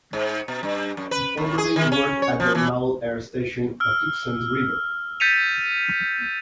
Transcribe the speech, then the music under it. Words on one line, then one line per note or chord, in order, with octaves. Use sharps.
He formerly worked at the Naval Air Station Patuxent River.
G#2
B2
G2
F#2
B4
D#2
G#4
D#3
C#4
C#5
F3
E3
E6 F6
G6 A6 B6 C#7 D#7 F7